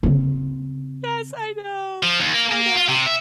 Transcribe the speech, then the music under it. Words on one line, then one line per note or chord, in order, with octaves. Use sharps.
Yes, I know, I know.
C#3 C4
F3
D#2
A#3
A#3
F4
C3
E5